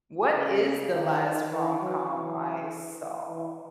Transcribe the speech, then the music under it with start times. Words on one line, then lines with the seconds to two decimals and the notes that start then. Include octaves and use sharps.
What is the last rom-com I saw,
0.34 C#3
0.93 D#3
1.51 E3
1.81 F#3
2.10 E3
3.27 E3